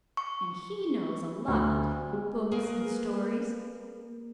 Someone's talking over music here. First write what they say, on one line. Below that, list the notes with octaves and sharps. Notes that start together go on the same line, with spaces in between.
And he knows a lot--books and stories!
C#6
D2
G#3
A#3 G#4 A#4 B4